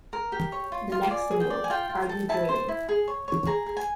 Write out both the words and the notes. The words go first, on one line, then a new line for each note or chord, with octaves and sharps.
The next single, Are You Dreaming?
A#4
G4
C#5
F4
F4
D5 G#5
G#4
G5
D5
G#5
F4 G5
F4
A4
E4 A5
C5
E4
G#4
C#5
C#5
G#4 A#5
G#4
G#5